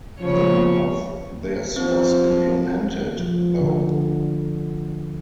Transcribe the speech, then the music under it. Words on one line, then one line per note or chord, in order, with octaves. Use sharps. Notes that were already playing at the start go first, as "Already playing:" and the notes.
None of this was implemented, though.
C#3 F3 C#5
F3 C4
F3
D3